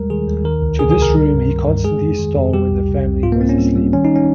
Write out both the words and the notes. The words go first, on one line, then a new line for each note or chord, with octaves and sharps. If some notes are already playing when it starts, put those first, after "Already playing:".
To this room he constantly stole when the family was asleep.
Already playing: D#2 G3 G#3 A#4
D#3 G#4
D#2
D#3 A#4
C#2
C3 G#4
G#4
C#2
A#4
G3
G2
D#3
G2
G#3 G#4
F2
D#3
F2
G3 G4
C2
C3
C2
G#2 F4
A#3
G#2 C4
C#4
G3
G3
D#3 C#4
D#4
C#4